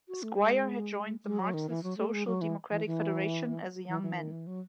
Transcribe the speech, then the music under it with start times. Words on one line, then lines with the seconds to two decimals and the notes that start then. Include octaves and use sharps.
Squire had joined the Marxist Social Democratic Federation, as a young man.
0.08 F#4
0.23 A3
0.36 G#3
1.24 G#3
1.39 F#3
1.54 D#3
1.69 E3
1.83 F#3
1.97 A3
2.13 G#3
2.27 F#3
2.41 E3
2.71 E3
2.86 E3
3.88 E3
4.02 E3
4.18 D#3
4.31 E3
4.47 F#3